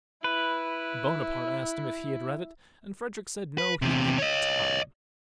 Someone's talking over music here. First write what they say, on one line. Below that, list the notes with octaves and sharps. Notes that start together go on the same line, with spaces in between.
Bonaparte asked him if he had read it, and Frederick said no, he hadn't time.
E4 B4
B4
E2 C3
C#5 D#5